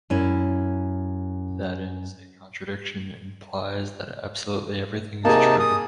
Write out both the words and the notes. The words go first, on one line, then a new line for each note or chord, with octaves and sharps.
That is, a contradiction implies that absolutely everything is true.
F#2 C#4 E4
C3 A#3 D#4 G#4 A5
D#6